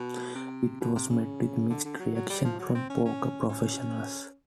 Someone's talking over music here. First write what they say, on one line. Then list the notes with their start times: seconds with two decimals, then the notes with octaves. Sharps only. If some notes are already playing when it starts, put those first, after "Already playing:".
It was met with mixed reactions from poker professionals.
Already playing: B2
0.35 C3
0.81 B2
0.95 C3
1.10 C#3
1.70 D3
1.85 D3
2.00 F#3
2.14 F#3
2.30 G3
2.44 F3
2.59 F#3
2.75 C4
2.90 C#4
3.05 C#4
3.49 C#4